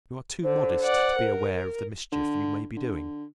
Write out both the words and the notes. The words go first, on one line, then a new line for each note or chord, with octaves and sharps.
You are too modest to be aware of the mischief you may be doing.
D3 C5
D5 F#5
A#4
D3
D3